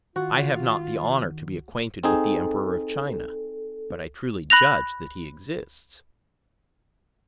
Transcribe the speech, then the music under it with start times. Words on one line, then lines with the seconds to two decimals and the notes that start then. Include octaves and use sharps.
I have not the honour to be acquainted with the Emperor of China, but I truly judge that he exists.
0.16 D#3 F4 F#4
2.04 C4 D#4 G#4 A4
4.50 B5 F#6 A#6 F7